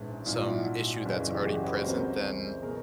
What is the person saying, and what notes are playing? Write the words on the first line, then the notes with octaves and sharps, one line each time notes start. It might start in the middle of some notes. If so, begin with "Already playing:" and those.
some issue that's already present, then
Already playing: A#1 G#2 E3 C#4 D#4
C2 A#2 D#4 F4
E4 F#4
F#1 F#2 C#3 E3
G4
F#4 G#4
B4 C#5
C#2 C3 E3 A#4 C5
B2 G#4 A#4